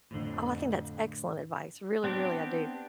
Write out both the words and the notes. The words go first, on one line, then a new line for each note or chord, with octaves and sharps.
oh, I think that's excellent advice, really, really I do,
F2 A2 D3
B3 C4 D4 G4